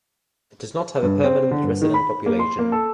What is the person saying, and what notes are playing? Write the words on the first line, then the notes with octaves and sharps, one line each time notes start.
It does not have a permanent resident population.
G2
C4
D3
G2
D#3
B5
A#3
C6
A#3
A4